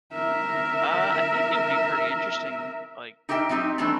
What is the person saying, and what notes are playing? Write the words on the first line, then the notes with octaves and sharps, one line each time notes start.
Uh, I think it would be pretty interesting, like,
A#4 E5
D#4 G4 A#4 E5 G5
F#3 C4 D#4 G4
D#3 E3 G3 A3 C4 D4